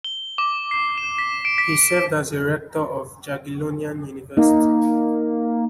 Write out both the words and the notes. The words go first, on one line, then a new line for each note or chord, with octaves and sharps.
He served as rector of Jagiellonian University.
G7
D6
C7
E7
B6
D7
B6
A#3 D#4